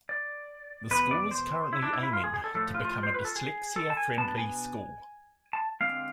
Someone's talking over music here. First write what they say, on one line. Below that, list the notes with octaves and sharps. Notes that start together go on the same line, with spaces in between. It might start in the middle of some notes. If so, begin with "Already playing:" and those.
The School is currently aiming to become a Dyslexia Friendly School.
D5
E2 B2 B3 B4
D5
C5
E4
D4
E4
E4
F4
G#4
G#4
A4
A2 F3 A3 A4
F4
F4
C5
B4
A4
G#4
A4
A5
G#5
B2 B3 D4 A5
G#5
A5
D3 G#3 C4 F5